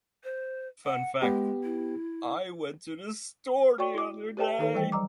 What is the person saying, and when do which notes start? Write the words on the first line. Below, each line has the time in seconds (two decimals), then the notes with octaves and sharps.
Fun fact: I went to the store the other day.
0.24 C5
0.86 F#5
1.22 G#3 B3 G4
1.63 E4
3.78 F#4 C#5 D5 G5 C#6
3.94 E4 D6
4.37 G4 B4 C#5 D#5 G5 A5
4.58 D#3 D#4 A4 B4 C#5
4.74 E3 G3 C5 G5
4.92 F#3 G3 A#5 D6